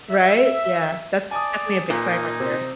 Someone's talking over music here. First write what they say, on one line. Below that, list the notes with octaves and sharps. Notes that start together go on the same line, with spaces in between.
Right? Yeah, that's definitely a big sign right there.
E5
D5 G#5 A5 D#6
A#2 D#4
C3 C5